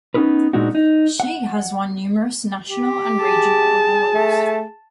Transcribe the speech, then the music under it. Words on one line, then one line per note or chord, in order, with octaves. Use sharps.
She has won numerous national and regional awards.
B3 C#4 D#4 A#4 B4
A#2 G#3 B3 D4 D#4 F#4
D#4
F#5
G4
G#4 A5
A3